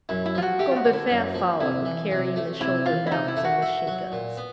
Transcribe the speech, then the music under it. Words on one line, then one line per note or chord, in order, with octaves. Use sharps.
Combeferre followed, carrying the shoulder-belts and the shakos.
F#2 E4
E4
F3 F4
F#4
A3 G4
F4
F#4
D3
E4
F#2
F3
C3 E4
E3
C3
A3
C3 E4
E3 F4
E4
C3 D#4
E4
A3
F#4
E4
F#3
A#2
B3